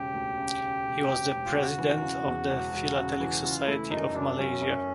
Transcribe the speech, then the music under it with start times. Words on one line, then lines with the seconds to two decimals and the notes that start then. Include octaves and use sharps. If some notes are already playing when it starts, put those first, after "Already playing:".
He was the president of the Philatelic Society of Malaysia.
Already playing: E1 C#3 G4
0.14 D2
0.38 C#3
0.60 C#3
0.84 E1
1.08 E1
1.32 E1
1.45 F4
1.55 C#3 F#4
1.78 E3
2.02 C#3
2.25 E2
2.49 E1
2.73 E1
2.97 C#3
3.20 E3
3.43 C#3 F4
3.67 A3 E4
3.90 F#2 D#4
4.14 F#2 D4
4.38 F#3 C#4
4.62 F#2